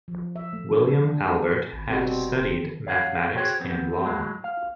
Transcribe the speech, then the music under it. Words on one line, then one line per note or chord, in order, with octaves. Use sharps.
William Albert had studied mathematics and law.
F3
E5
A3
D4
D4
G3
G#1
F1 B2 G3 C4
D#1 C4
C#5 F5 F#5
F#4 G#4 C5 C#5 G5
F2 B3 C4
A2 F#3 G#3
F5